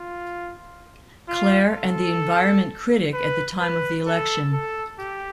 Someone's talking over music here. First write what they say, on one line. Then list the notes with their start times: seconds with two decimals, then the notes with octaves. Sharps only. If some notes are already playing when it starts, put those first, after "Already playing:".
Clair and the environment critic at the time of the election.
Already playing: F4
1.29 F4
1.75 A4
3.14 B4
3.60 B4
4.07 A4
4.53 A4
4.99 G4